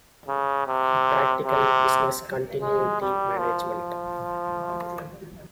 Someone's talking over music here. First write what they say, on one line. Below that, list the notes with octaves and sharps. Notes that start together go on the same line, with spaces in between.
Practical Business Continuity Management.
C#3
C3
C3
G#3
G3
F3